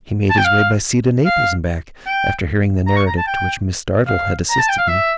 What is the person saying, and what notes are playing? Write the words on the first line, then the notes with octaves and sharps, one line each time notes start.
He made his way by sea to Naples, and back, after hearing the narrative to which Miss Dartle had assisted me.
A5
G5
F5
F5
G5
A#5
C#6
A#5
A5
G5
F5
A#5
A5
G5
F5
E5